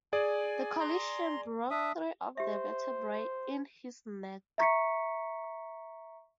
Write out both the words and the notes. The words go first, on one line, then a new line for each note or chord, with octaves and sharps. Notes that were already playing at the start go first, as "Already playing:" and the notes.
The collision broke three of the vertebrae in his neck.
G#4 D5 G#5
A#5 C6
D4 E5 D#6
G4 C5 E5
E5 A#5 C#6 B6 C#7